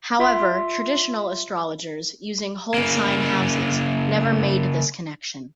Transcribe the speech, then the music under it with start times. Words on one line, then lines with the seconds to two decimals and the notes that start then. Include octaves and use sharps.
However, traditional astrologers, using whole-sign houses, never made this connection.
0.19 F4 E5 C6
2.74 C#3 A#3